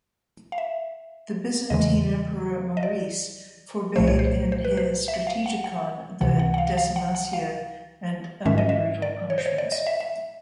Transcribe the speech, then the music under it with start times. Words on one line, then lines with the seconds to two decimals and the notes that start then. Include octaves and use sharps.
The Byzantine Emperor Maurice forbade in his Strategikon the "decimatio" and other brutal punishments.
0.52 F5
0.58 E5
1.70 E2 C#3 E3 G#3 D#5
2.77 D#5
2.83 D5
3.96 C2 A#2 F3 A3 C5
4.08 C#5
4.19 C5
4.52 C5
4.65 B4
4.77 C5
5.08 E5
5.27 F5
5.46 F#5
5.64 F#5
6.21 C#2 C3 E3 F#5
6.39 F#5
6.54 F#5
6.58 F5
6.77 F5
6.96 F#5
7.15 F#5
7.33 F5
8.45 G#2 D#3 G#3 C#4 E5
8.58 D#5
8.69 E5
9.02 D5
9.30 C#5
9.38 C5
9.46 C#5
9.58 D5
9.72 D#5
9.87 E5
10.01 E5